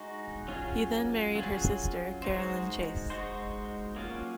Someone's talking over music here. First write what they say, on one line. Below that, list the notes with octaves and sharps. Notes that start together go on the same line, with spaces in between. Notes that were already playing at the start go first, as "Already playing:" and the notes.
He then married her sister, Caroline Chase.
Already playing: G#3 D#4 F#4
F#3 C#4 F4 G#4
F#3 C#4 F4 G#4
G#3 D#4 F#4 C5
G#3 D#4 F#4 C5
F#3 A#3 C#4 F4